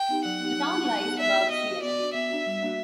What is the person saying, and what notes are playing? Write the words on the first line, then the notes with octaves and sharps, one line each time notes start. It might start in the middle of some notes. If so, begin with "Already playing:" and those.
The town lies above sea level.
Already playing: G5
B3 D#4 G4
F#3 F#5
B3 D#4 G4
F#3
B3 D#4 G4
F#3
B3 D#4 G4
B3 E5
D4 F#4
B3 D#5
D4 F#4
B3 D5
D4 F#4
B3 E5
D4 F#4
G3
A#3 D4 F#4